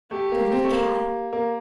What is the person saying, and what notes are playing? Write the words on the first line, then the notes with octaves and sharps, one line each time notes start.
'Dirty cat!
A3 G4
A#3
C4
A3
A#3
A#3